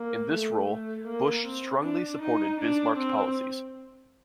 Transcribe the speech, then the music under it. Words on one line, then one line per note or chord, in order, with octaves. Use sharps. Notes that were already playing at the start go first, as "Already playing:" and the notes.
In this roll, Busch strongly supported Bismarck's policies.
Already playing: A#3
A3
A3
A#3
C4
D4
D#4
D4
C4